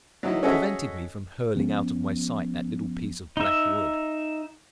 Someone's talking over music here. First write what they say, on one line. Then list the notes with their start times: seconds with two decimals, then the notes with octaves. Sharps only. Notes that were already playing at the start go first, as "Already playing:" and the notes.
What prevented me from hurling out of my sight that little piece of black wood?
0.23 F#3 D#4 E4
0.43 C#4 F#4 G#4 A4 D#5 E5
1.56 F3 B3 C#4
3.37 D#4 E5